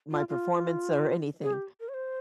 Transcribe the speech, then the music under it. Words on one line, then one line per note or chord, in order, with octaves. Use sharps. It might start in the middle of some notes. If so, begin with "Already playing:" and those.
my performance or anything.
F4
F4
G#4
G4
A#4
C#5
C5